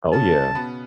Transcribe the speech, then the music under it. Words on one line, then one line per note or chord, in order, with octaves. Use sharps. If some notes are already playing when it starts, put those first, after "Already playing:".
Oh, yeah.
C#3 C#4 A5
B2 B3